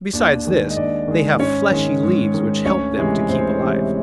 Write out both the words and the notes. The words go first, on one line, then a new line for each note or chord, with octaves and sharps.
Besides this, they have fleshy leaves which help them to keep alive.
D#2 D4 D5
D#3 G#3
D#5
D#2 D4 D5
D#3 G#3
G#2 C#4 C#5
D#3 G#3
G#2
D#3 G#3
D2 C#4 C#5
C3 E3 G#3
D2 C4 C5
C3 E3 G#3